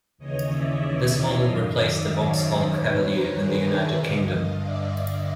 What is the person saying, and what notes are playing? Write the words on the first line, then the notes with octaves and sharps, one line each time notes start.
This model replaced the Vauxhall Cavalier in the United Kingdom.
D#2 C#3 E3 C#5 D#5
D5 E5
D#5 F5
F#2 D#3
D5 E5
C#5 D#5
C5 D5
E2 C3 D#3 B4 C#5
A#4 C5
G#4 A#4
D5 E5
G2 D3 D#5 F5
D#5 F5
D5 E5